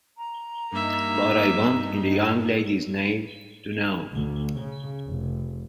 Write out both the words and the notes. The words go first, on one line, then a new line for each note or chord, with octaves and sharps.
But I want, in the young lady's name, to know.
A#5
G2 A#3 D#4 E5
D2
C#3
F1